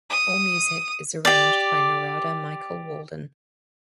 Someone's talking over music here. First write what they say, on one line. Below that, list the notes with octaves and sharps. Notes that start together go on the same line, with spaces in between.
All music is arranged by Narada Michael Walden.
D#6
G4 D5